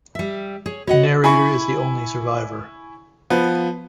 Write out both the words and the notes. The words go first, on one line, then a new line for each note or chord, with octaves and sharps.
The narrator is the only survivor.
G3 E5
G#4 C#5
F#4 C#5 D#5 F#5
E4 G#5 B5 C#6
F3 B3 B4